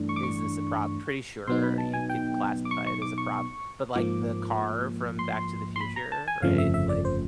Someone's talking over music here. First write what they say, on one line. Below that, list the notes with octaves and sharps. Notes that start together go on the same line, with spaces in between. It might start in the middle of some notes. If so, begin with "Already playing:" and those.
is this a prop? Pretty sure you could classify it as a prop, but, like, the car from Back to the Future, right? Like
Already playing: G2 E3 A3 D4
C#6
D6
C#6
B2 F#3 B3 D#4 C6
B5
A5
G#5
G5
D6
C#6
C#6
D6
C#6
G#2 F3 A#3 D6
C6
C6
B5
A#5
A5
G#5
G1 F2 C#3 F3 A3 F5
E5
E5
D5
C5